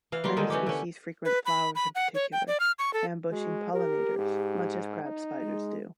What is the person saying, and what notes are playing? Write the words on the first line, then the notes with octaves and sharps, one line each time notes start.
Many species frequent flowers in particular, ambushing pollinators, much as crab spiders do.
E3 F5
G3 A#3 F4
D3 D#3 F#3 G#3
E3 C#4 G4
D3 C#4
B4
B5
B5
F#5
C#5
G5
D5
F6
C#6
A4
G#3 F#4
G4 A#4
G#2
D#4
G#3